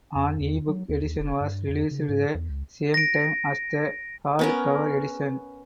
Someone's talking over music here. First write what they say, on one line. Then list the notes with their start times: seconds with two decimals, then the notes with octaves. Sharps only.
An ebook edition was released the same time as the hardcover edition.
0.15 F2
0.40 E2
0.68 F#3
0.89 D#2
1.04 D#2
1.19 F1
1.40 G2
1.69 F2
1.91 C#3
2.09 G#2
2.35 E2
2.49 C#2
2.94 A#6 D7
4.39 B3 C#4 A#4